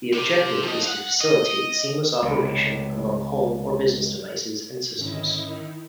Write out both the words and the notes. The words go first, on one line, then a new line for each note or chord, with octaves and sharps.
The objective is to facilitate seamless operation among home or business devices and systems.
C3
F3 D#5
F5 F#5
D#5
C#2 C3
G#2 D3 D#3 C#4 D#4 E4